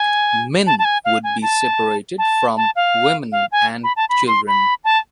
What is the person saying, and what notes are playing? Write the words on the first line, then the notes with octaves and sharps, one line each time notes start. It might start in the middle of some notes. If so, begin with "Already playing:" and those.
Men would be separated from women and children.
Already playing: G#5
A5
A5
G#5
F5
G#5
A5
A5
A5
F5
F5
G#5
B5
A5
B5
C6
B5
A5